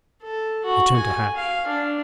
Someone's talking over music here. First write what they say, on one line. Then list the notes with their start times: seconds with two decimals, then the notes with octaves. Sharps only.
He turned to Hatch.
0.23 A4
0.65 F#4
0.96 G#5
1.36 F5
1.67 D4